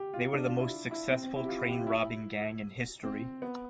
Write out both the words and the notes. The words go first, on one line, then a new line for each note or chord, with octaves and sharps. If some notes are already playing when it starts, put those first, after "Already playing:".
They were the most successful train-robbing gang in history.
Already playing: G4
F4
D4
F4
E4
E4
C4
C4
E4
G4
F4
E4
G4
F4
E4
C4
B3